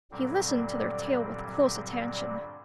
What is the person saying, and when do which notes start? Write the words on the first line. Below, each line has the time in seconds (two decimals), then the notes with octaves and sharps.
He listened to their tale with close attention.
0.11 G2 A#2 D3 F#3 G3 C4